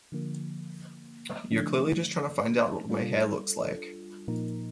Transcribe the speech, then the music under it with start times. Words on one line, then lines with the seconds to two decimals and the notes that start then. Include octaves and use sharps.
You're clearly just trying to find out what my hair looks like.
0.12 D3 F3 A#3
1.51 D3 F3 A3 D4
2.89 G3 D4 F4 A4
4.28 A#2 F3 A#3 D#4 A#4